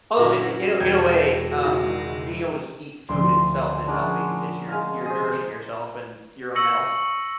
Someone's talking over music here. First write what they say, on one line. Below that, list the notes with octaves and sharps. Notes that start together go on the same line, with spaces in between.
Although, i i in a in a way, um, being able to s eat food itself is healthy because you're you're nourishing yourself and your own health.
F#2 A#2 D3 E3 F#3 E4 F#4 A#6
E1 G#3 G5 G6 G#6
C#2 D#3 G#3 E4 D5
D2 D3 F3 C6
G#3 C#4 D4 A#4 F#5
G#3 F5
G#4 C5 D#5
C#6 E6 A#6 C#7 F#7